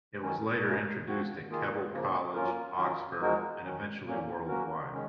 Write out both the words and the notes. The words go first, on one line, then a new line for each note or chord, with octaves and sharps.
It was later introduced at Keble College, Oxford and eventually worldwide.
D#3 F#3 C#4
C#3 G#3 D#4 A#4
F3 C4 F#4
D#3 A#3 F4 G#4
C#3 F3 A#3
F#3 A#3 C#4 F4 A#4
D#3 F#3 C#4 F4 A#4
F3 G#3 D#4 F#4 A#4
D#3 F#3 C#4
A#2 F#3 A#3 C#4
F#3 A#3 C#4 F#4 A#4
D#3 G#3 C#4